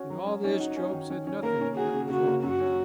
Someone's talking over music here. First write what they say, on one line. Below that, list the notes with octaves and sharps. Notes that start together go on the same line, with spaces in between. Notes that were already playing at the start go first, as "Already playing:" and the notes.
In all this Job said nothing that was wrong.
Already playing: C#4 F#4
F#3
C#4
C#4 D#4
F#4
C#4
D#3
C#4
C#4
A#3 A#4
C#4
F#4 G#4
C#3
C#3 F#4
A#3
F#2 F#4
C#4